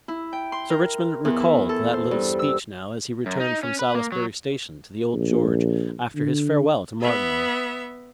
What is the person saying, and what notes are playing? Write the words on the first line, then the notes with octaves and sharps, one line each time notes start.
Sir Richmond recalled that little speech now as he returned from Salisbury station to the Old George after his farewell to Martineau.
E4
G5
C6
A#4
E2
E4
A4
C5
G2
E6
F#2
D#4
C#4
B4
A#3
F#3
A#1
D3
B3 E5